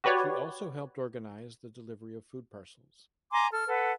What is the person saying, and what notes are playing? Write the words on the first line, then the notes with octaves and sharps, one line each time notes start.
She also helped organise the delivery of food parcels.
F#4 G4 B4 C#5 D5
G#5 A#5 C6 D6
A4 F6
A4 B4 F#5